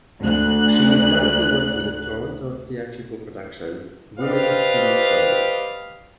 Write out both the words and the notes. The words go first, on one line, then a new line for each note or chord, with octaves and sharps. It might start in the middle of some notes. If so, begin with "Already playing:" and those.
She is currently working in the Toronto theatrical production, Women Fully Clothed.
D2 F#6
G4 B4 C5 D5 D#5 F5